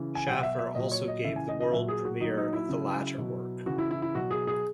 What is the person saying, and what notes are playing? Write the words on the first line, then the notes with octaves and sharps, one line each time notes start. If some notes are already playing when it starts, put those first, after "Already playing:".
Shaffer also gave the world premiere of the latter work.
Already playing: C#3 E3
G#5
B2 F#3 F#5
E5
E5
A#2 F#3 D#5
C#5
D#5
C#3 E3 E5
G#5
D#5
D#5
A#2 F#3 E5
G#4
F#4
A#2 F#3 D#4
D#4
E4
C#3 F#3
B2 F#3
C#3 E3 F#4
E4
E4
E4
B2 F#3 F#4
G#4
G#4